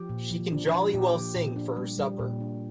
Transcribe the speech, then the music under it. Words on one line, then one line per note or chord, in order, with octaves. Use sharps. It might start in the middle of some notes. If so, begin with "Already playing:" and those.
She can jolly well sing for her supper!
Already playing: F3 G4
A#2
F3
D4
F3
A#2 G4
F3
A#2
D4
G3
G3
A#2
D4